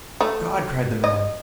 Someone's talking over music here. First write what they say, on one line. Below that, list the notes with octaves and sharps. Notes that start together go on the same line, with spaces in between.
"God!" cried the man.
A3
D#5